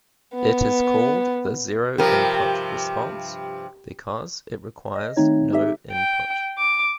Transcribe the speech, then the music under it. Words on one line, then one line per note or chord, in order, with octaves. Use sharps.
It is called the zero-input response because it requires no input.
B3
G2 C3 F3 G4 A#4
D#5
D#3 A3 C4 D#4 C#5
D#4 G4 A4 E5
G5
D6